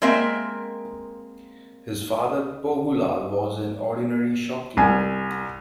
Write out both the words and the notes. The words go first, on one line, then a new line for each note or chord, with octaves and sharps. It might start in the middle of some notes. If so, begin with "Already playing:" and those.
His father Pohu Lal, was an ordinary shopkeeper.
G#3 A#3 C4 A#4 E5
C2 G#5